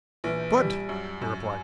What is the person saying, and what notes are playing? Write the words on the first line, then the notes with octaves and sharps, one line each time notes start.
"Good!" he replied.
A#1 E3
G3
F#2
F#2